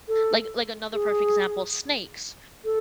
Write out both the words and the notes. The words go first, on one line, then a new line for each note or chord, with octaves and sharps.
Like like, another perfect example, snakes,
A4
G#4
A4